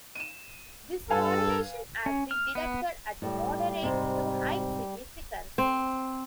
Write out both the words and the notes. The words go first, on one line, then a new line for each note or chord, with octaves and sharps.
This correlation has been detected at moderate to high significance.
D#7 E7
G2 A4 B4 F5 G#5
C#4
F6
B3
A2 G3
G#2 C3
C4